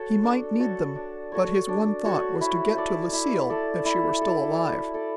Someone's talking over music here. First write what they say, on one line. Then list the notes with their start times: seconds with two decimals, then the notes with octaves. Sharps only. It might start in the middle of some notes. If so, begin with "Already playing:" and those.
He might need them, but his one thought was to get to Lucille, if she were still alive.
Already playing: F#4 A4 C#5
0.23 D4
0.60 F#4 A4 C#5
0.96 D4
1.32 F#4 A4 C#5
1.68 D4
2.05 F#4 A4 C#5
2.41 E4
2.77 A4 D5
3.13 E4
3.50 A4 D5
3.85 E4
4.21 A4 D5
4.58 E4
4.94 A4 D5